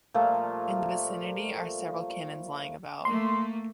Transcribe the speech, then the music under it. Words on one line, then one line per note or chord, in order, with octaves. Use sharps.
In the vicinity are several cannons lying about.
A#2 F3 G3 A3
A3 A#3 C6